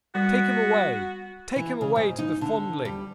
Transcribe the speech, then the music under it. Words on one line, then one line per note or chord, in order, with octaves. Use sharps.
'Take 'em away, take 'em away to the Fondling!'
G3 B3 F#4
E3
C#3
G#2
D#4
D3
G3